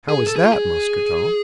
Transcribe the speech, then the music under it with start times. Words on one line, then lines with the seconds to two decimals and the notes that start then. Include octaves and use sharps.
"How is that, Mousqueton?"
0.08 G#4
0.27 A4
0.36 G#4
0.43 F4
0.52 G#4